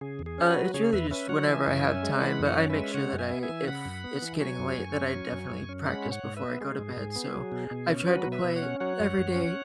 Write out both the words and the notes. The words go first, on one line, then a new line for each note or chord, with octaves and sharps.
Uh, it's really just whenever I have time, but I make sure that I if it's getting late, that I definitely practice before I go to bed. So I've tried to play every day
C#3 G#4
E2
G#4
C#4
F#4 B4
F#3
C#3 G#4 C#5
E2 B4 E5
C#4 B4 E5
F#3 C#5 F#5
B5
E3 E5 G#5
F#2
C#4
G#3
E3 F#5 B5
F#2
C#5 F#5
C#4
B4 E5
G#3
C#3 C#5 F#5
F#2
E5 G#5
B3
E5 G#5
E3
C#3 F#5 B5
F#2
B3
E3
F#3 G#5 C#6
F#2
F#2
C#4
F#3
F#2
F#2
C#4
G#3 F#5 B5
G#2
C#5 F#5
G#2
B4 E5
B3
G#3 G#4
G#2
G#2
B3
F#3
B2
B2
C#4
F#3 F#4 B4
B2
B4 E5
B2
C#5 F#5
C#4
F#3 C#5 F#5
F#2
F#2
C#4